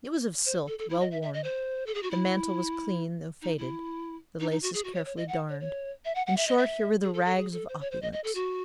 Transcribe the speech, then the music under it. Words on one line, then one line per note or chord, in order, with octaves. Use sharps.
It was of silk, well-worn; the mantle was clean, though faded; the laces carefully darned; in short, here were the rags of opulence.
C5
A4
A4
E4
D#5
E5
E5
D#5
C5
A4
G#4
F#4
E4
D#4
E4
D#4
D#4
F#4
G#4
F#4
C#5
C#5
D#5
F#5
C#5
C#5
E5
F#5
F#5
E5
D#5
E5
G#4
A4
A4
G#4
A4
C5
C#5
C5
D#5
D#5
A4
F#4